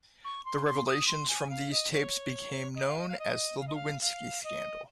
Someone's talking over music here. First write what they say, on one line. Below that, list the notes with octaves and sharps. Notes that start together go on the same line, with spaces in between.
The revelations from these tapes became known as the Lewinsky scandal.
C#6
C6
C6
D#6
C6
G#5
F5
D#5
C#5
D#5
F5
D#5
F5
D#5
F5
D#5
F5
F5
D#5